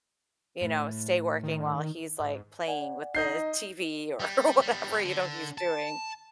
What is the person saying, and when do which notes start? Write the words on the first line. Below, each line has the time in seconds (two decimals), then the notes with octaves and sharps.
you know, stay working while he's, like, playing with the TV or whatever, you know, he's doing.
0.61 A2
1.43 D#3
2.20 G#2
2.67 D5 F#5 G#5
3.15 D#4 D#5 G6 C7
4.20 G3
4.62 G3 B3
5.05 D3
5.58 A5